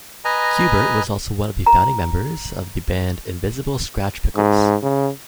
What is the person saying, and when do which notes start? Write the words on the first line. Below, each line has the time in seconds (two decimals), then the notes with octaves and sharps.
Qbert was also one of the founding members of the band Invisibl Skratch Piklz.
0.25 B4 D#5 G#5 A#5
1.66 A#5
4.36 G#2
4.83 C#3